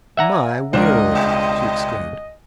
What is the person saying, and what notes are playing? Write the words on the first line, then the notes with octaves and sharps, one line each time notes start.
'My word!' she exclaimed.
D5 E5 F#5 G#5 A#5
C#2 D4 A#4 C5 D#5
G2 B2